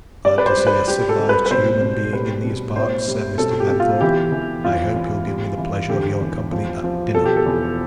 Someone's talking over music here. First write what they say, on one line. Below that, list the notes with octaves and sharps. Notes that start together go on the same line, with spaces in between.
'Glad to see a civilised human being in these parts,' said Mr. Glenthorpe. 'I hope you'll give me the pleasure of your company at dinner.
G3 D5
B4
C5
G3
B4
G3 G4
A4
G3
B4
B4
B2 C5
B2
G3 B4
B2
A2 C5
G3
B2 A4
G4
B2
F4
E3 G4
E3
E2 F4
E2
G3
E3
D3 G4
E2
F3
F3
B2 A4
G4
A4
E2